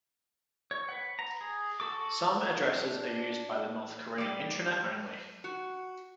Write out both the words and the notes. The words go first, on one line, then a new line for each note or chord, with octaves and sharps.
Some addresses are used by the North Korean Intranet only.
C#5
B4 F#5
A#5
G#4
F#4 A4 D6
D4
G3 D5
F#4